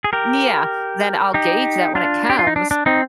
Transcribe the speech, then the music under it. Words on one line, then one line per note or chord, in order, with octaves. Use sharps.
yeah, then I'll gauge that when it comes
G#4
G4 A#4
D#4 G4
D4 F4
G4
F4
D#4
D4
D4
C4 D#4